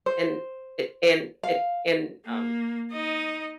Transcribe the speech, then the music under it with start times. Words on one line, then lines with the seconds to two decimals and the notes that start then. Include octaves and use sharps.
and a and a and, um
0.06 C5
1.43 F5
2.25 A#3
2.92 D#4 D#5